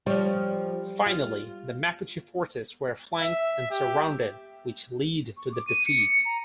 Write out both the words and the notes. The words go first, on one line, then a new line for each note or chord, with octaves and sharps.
Finally, the Mapuche forces were flanked and surrounded, which lead to their defeat.
F3 G3 C#5
F4
E5
G4
C#6
D6
D#7
C#7
A#5